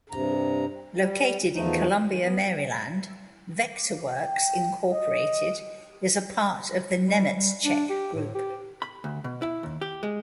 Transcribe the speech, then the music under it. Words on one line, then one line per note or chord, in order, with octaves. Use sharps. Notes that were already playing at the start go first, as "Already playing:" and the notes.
Located in Columbia, Maryland, Vectorworks, Incorporated is a part of The Nemetschek Group.
G2 C3 A#5
G3
E2 F3 A3 D#4
D#3
B3
G5
D#5
G3
G3
D4
G4
A2
G4
B5
D2
B2
E4
D#2
G4
G#3